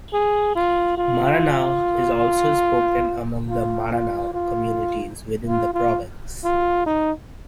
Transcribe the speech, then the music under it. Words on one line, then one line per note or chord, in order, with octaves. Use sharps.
Maranao is also spoken among the Maranao communities within the province.
G#4
F4
F4
F4
F4
F4
F4
F4
F4
D#4